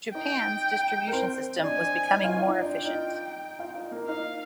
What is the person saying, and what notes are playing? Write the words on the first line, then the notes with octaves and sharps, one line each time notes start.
Japan's distribution system was becoming more efficient.
D#4 D#5 G5
A#4
C4 C5
D#5
D4 D5 G#5
D#4 D#5
F4 F5
D#4 D#5
D#4 D#5
D4 D5 G5
D#4 D#5
F4 F5
D#4 D#5
A#3 A#4
D#4 D#5 F5